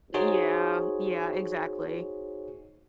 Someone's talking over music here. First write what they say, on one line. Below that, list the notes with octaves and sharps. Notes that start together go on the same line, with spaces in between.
Yeah, yeah, exactly.
D#4 F#4 G#4 C5 C#5